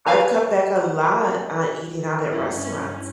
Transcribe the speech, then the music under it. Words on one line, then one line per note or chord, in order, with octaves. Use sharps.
I've cut back a lot on eating out at restaurants.
B4 C#5 F5 G#5 A#5
G2 C#4 E4